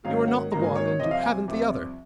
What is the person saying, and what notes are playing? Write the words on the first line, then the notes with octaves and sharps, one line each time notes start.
But you are not the one and you haven’t the other.
G#2 D#3 F#3 A#3 C#4 F5
F#5
G#2 D#3 F#3 A#3 C#4 A#5
G#5
C#5
C#5
C2 C3 F3 C4 D#5
F5
G#5
C2 C3 F3 C4